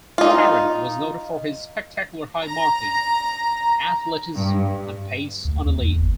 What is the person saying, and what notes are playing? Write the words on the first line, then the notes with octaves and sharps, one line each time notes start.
Tarrant was noted for his spectacular high marking, athleticism and pace on a lead.
D#4 F4
A#5
G2
D2
D#2
E2
G#1